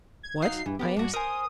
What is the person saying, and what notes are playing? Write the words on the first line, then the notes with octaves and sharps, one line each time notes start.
"What?" I asked.
G#6
F#3 D#4 F5 C7
G2 E3
B3 G4 A#4 D5
G2 D4 F#4
A#4 C5 G#5 D#6